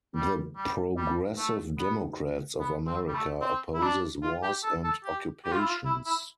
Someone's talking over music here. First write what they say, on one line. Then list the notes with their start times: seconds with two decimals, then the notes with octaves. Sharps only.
The Progressive Democrats of America opposes wars and occupations.
0.16 G3
0.57 G3
0.97 G3
1.38 A3
1.78 B3
2.60 B3
2.87 C4
3.08 G3
3.14 A3
3.41 C4
3.74 E4
3.82 D4
4.23 F4
4.43 G4
4.63 A4
4.84 A4
5.04 G4
5.45 G4
5.52 F4
5.60 E4
5.67 F4
5.85 E4
6.06 E4